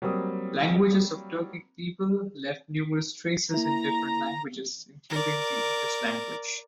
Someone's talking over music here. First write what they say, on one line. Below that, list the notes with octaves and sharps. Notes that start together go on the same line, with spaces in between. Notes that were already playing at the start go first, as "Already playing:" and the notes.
Languages of Turkic peoples left numerous traces in different languages, including the English language.
F#3 G3 A#3 C4 D#6
A#3 E4 A#5
A#4 D5